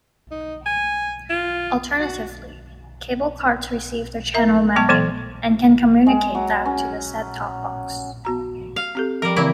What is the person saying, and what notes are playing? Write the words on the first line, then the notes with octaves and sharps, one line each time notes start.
Alternatively, CableCards receive the channel mapping and can communicate that to the set-top box.
D#4
G#5
F4
F#4
A#4 E5 A#5
F#3 G#3 B3 A5 C#6
E3 F#3 B3 A4 C6
G#3
F#3
C#4
B3 F#4 A#5
F5
C4 G4 A4
F3 G3 A#4
C#3 E3 A#3 C4 E4